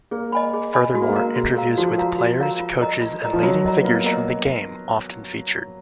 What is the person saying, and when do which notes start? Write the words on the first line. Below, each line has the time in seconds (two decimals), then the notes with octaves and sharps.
Furthermore, interviews with players, coaches and leading figures from the game often featured.
0.11 A#3 G#4
0.32 D#5 G#5 B5
0.53 G#4
0.74 D#5 G#5 B5
0.94 G#3 F#4
1.01 A#3
1.09 G#3
1.15 A#4 F5 A#5
1.36 F#4
1.56 A#4 F5 A#5
1.78 F3 F#4
1.98 A#4 F5 A#5
2.19 F#4
2.40 A#4 F5 A#5
2.60 F4
2.81 A#4 D#5 A#5
3.01 F4
3.22 A#4 D#5 A#5
3.33 F3
3.43 F#3 F4
3.64 A#4 D#5 A#5
3.81 B3
3.84 A#3 F4
4.05 A#4 D#5 A#5